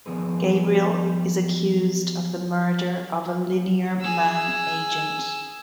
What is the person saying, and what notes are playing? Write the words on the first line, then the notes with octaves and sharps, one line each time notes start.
Gabriel is accused of the murder of a Linear Man agent.
D#3 F3 B3 G#4 A#4 B4
G#4 E6